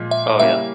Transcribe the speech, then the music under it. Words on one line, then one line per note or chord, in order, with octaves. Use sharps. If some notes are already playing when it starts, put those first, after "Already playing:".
Oh, yeah.
Already playing: A#2 F3 G#3
E5
C#3 G3 A#3 C#4 E4 E5